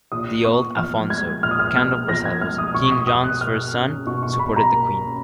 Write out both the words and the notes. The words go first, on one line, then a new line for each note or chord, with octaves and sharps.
The old Afonso, Count of Barcelos, King John's first son, supported the Queen.
A#2 D#6
B3 C#6
F3 F6
G#3 G#6
A#2 F6
D#6
F6
B3 F6
F3 A#6
G#6
G#3 F6
D#6
B2 C#6
D#6
B2 D#6
F#6
A#3 F6
C#4
B2 C#6
C#6
B2 B5
A#5
A#3
C#4